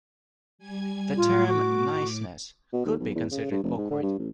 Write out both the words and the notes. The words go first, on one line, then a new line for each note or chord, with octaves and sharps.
The term "niceness" could be considered awkward.
G3 G#5 G#6
A2 F4 D6
F#4
B2
D#2
B1
E2
C#3
G2
F1
G#2
D3
G2
A1